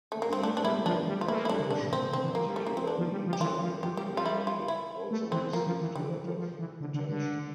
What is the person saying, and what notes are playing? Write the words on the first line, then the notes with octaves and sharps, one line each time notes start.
The Enron Corporation, and particularly Chairman Ken Lay, also received a lot of attention.
A3
A#3
C4
A3 D4
D4
G3 E4
F3 D4
G3
F4
A#3 E4
A3
A#3
E4
G3 D4
D3
C3 D4
A2
A#2 C4
C3
D3 C4
E3
F3 A#3
G3
A3
A#3
C4
D4
F3
G3
F3
G4
E3 F4
F3
F3 G4
G3 G4
G3
F4
E4
F4
E4
A3
E3 C4
F3 A#3
F3
E3
D3 G3
E3
F3
F3
E3
D3
D3
D3